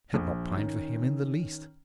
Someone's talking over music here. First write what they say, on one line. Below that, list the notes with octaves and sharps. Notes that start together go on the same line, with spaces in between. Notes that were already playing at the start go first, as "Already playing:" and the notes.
I had not pined for him in the least.
A#1
D#3 C#4